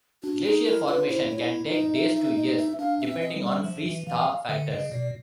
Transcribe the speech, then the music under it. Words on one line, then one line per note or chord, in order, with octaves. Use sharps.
Glacier formation can take days to years depending on freeze-thaw factors.
D4 F#4
D#4 G#4
E4 A#4
F4 B4
E4 C5
C#5
E4
D#4
D#5
E5
E5
D#5
E5
D4 F5
E5
C4
D#5
G3
D5
F3 E5
E3
E3 F5
D3 E5
C#3 D#5
B2 D5